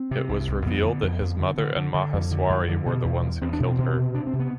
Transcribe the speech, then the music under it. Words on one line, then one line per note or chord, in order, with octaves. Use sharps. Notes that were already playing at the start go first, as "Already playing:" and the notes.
It was revealed that his mother and Maheswari were the ones who killed her.
Already playing: C4
C3
C2
C2
F2 B3
D3
F2
F2
D3
D3
D3
D3
F2
D3
F2
D3
B2
E2
E2
E2 C4
D4
B2 C4
B2
C3
C3 D4
C4
C3
B3